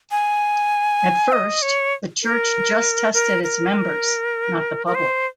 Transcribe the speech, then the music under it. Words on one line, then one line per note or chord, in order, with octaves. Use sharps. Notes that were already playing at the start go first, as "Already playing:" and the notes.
At first the church just tested its members, not the public.
G#5
D#5
C#5
A#4
A#4
A#4
A#4
C5